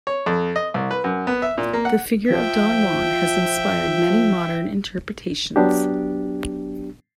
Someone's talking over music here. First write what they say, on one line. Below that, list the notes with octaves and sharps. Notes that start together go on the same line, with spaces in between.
The figure of Don Juan has inspired many modern interpretations.
C#5
F2
D#5
C2
B4
F#2
B3
E5
A#2
A#3
F#5
F3 E5 G5
F#3 B3 D4 G4